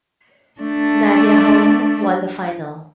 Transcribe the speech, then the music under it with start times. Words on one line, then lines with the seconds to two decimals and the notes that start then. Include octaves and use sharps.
Nadja Holm won the final.
0.61 A3 D4